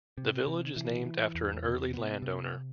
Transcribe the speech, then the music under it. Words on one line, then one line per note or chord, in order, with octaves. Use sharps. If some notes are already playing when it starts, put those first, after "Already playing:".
The village is named after an early landowner.
C3
C3
E3
E3
E2
C3
B3
C3